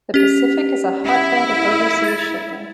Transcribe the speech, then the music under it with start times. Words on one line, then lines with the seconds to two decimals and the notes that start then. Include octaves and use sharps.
The Pacific is a hotbed of overseas shipping.
0.14 C#4 G4 B6
1.05 E4
2.04 G#6 A6